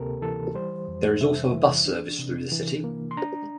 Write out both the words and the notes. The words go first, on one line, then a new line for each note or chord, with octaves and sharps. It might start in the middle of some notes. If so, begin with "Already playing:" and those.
There is also bus service through the city.
Already playing: D2 C3 A#3 G4 A4 A#4
E3 A4
G3 C5
F2
C3 E5
E3
D4
C3
E3
A#3
C6
D4 A#5